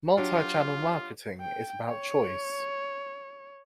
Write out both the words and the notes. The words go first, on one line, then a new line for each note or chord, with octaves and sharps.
Multichannel marketing is about choice.
F#3 D4 F4 G4
G5
C#5